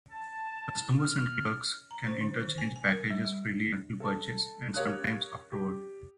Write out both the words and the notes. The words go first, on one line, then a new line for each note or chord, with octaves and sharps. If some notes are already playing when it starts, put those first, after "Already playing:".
Customers and clerks can interchange packages freely until purchase, and sometimes afterward.
A5
F6
A#5
C5
D3
D#3
G#5
G#5
A#4
G3
G3
A4 A5
G4 A#4 C#5 F5 D#6 F#6
G4